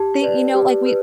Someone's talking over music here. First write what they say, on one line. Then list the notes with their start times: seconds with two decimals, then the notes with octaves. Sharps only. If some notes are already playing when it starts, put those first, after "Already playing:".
they you know, like, we
Already playing: G4 A5
0.21 B4 D5
0.54 G4
0.86 B4